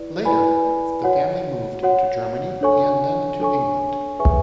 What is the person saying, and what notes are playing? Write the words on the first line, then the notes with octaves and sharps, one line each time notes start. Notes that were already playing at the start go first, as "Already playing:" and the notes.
Later, the family moved to Germany and then to England.
Already playing: E4 B4 D5
E4 B4 D5 G#5 B5
F#4 C#5 F#5
F#4 C#5 F#5
D4 A4 C#5 G#5 C#6
D4 A4 C#5 G#5 C#6
G#4 B4 E5 G#5 C#6